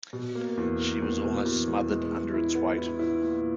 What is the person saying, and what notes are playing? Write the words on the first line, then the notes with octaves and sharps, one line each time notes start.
She was almost smothered under its weight.
B2
A#3
E2
A#3
E2
B2
E2
E2
G#3
G#3
E4
B3
E4
E4
A#2